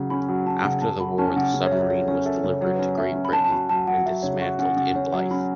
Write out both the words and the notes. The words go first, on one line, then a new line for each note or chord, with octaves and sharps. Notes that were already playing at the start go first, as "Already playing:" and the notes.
After the war, the submarine was delivered to Great Britain and dismantled in Blyth.
Already playing: C#3 F#3
C#4 B5
F#3
C#4 A5
C#3 F#5
C#3 A5
F#3 B5
C#4 A5
C#3 F#5
C#3
C#5
F#3 E5
A4 C#5
C#4 C#5
A4 E5
C#3 C#5
F#3 C#5
B4
C#4 C#5
C#4 E5
C#4
B5
C#4 A5
A5
F#4 B5
F#3 A5
F#3 F#5
F#3 E5
C#3 C#5
F#4 E5
C#4 F#5
C#3 F#5
C#4 C#5
F#3 F#5
C#4 B5